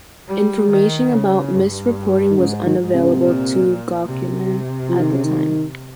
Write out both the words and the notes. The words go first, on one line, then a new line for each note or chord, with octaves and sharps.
Information about misreporting was unavailable to Gauquelin at the time.
G3
D#3
C#3
G2
D#3
G#2 C#3
D#3
G#2
C3
C#3
C3
A#2
C3
F3
D#3
C#3
D#3